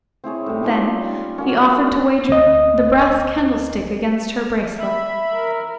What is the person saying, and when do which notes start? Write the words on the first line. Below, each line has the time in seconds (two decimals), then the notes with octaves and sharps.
Then he offered to wager the brass candlestick against her bracelet.
0.24 C4 E4 G#4 C#5
0.46 A2 G3
0.63 G3 C#4 D#4 F4
1.38 F#3 A#3 C#4
2.29 D2 D#5
4.79 E5 B5
5.33 A#4